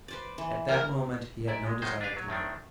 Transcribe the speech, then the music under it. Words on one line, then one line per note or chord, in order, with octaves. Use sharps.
At that moment he had no desire to live.
B4 C5 D5
E3
A#4
G#2 E4 D5
G#3
F#2 D#3 G#3 D#4 C5
D4 G#4 B4 F5
F#3
A2 D#3 C4 D4